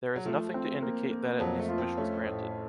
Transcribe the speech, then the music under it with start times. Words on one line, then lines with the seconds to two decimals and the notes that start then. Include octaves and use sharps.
There is nothing to indicate that at least wish was granted.
0.16 F#3
0.25 F3 A3
0.54 C4
0.82 A#3
1.11 A#3
1.40 F2 F#3
1.59 A3
1.69 F4
1.78 C4
1.97 A3 C#4
2.26 A2